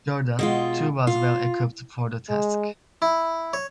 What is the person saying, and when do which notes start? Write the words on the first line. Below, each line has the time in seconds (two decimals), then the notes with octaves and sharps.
Jordan, too was well equipped for the task.
0.39 B2 G#3 F4
1.07 F4
2.29 G#3
3.02 E4
3.53 C#5